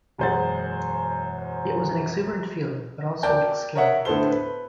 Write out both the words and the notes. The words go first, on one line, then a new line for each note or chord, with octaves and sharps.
It was an exuberant feeling, but also a little scary.
E1 F#2 G#3 C5 F#5 A6
A#4 D5 G5 A5 G6
A#4 C#5 D#5 E5 F#5
A2 D3 B3 A4 C5 G7
B4